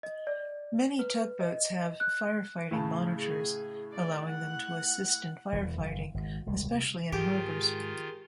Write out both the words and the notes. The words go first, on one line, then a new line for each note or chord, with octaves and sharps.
Many tugboats have firefighting monitors, allowing them to assist in firefighting, especially in harbors.
D#5
D5
B4
D#5
F#6
A2 C#3 A5
G#4
D5
F#5
E1 E2 E3
F#1
G#1
E1 C#2 A2 G3
C3
G#2 D#3 F4 G4 G#4